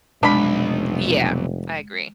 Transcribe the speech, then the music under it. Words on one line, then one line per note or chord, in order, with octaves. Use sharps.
Yeah. I agree.
F1 B1 G#3 D4 B5